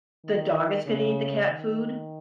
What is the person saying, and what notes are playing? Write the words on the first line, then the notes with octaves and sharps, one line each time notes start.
The dog is gonna eat the cat food?
D#3
C#3
D#3